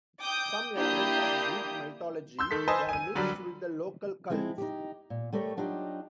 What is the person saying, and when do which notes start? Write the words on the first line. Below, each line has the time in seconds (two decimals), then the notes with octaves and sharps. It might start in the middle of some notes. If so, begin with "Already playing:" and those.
Some elements of Greek mythology were mixed with the local cults.
0.20 G5 D6 D#6 G6
0.75 A#3 D4 E4 G4 D#6 G6
2.39 C6 E6 G6
2.51 D#3 A4 B6
2.68 B4 C5 D#5 G#5 A5
2.89 G#5 D#7
3.15 D3 F#3 G3 D4
4.30 F3 G#3 C4 E4
4.58 D#4 G4
5.10 A#2
5.33 G3 A3 G4 A#4 C#5
5.57 F#3 D4 D#4 F4 G4